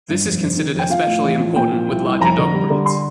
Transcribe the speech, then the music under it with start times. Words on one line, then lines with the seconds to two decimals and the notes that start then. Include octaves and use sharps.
This is considered especially important with larger dog breeds.
0.09 G2
0.25 F1
0.41 F1
0.57 D#3
0.74 F1 G5
0.90 F3 F5
1.06 A2
1.22 A1
1.39 F3
1.56 A#2 G5
1.72 F3
1.89 C2
2.05 C2
2.20 F1 A#5
2.38 D3
2.54 G3
2.70 D3
2.86 C6